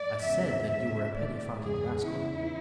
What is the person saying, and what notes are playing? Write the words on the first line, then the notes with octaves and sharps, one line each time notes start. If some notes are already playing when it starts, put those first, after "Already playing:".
I said that you were a pettifogging rascal.
Already playing: D5
E2 C#3 G#3 E5
D2 C#3 G#3 E5
A2 G#3 D5
E2 C#3 G#3 G#4
E2 C#3 E3 E4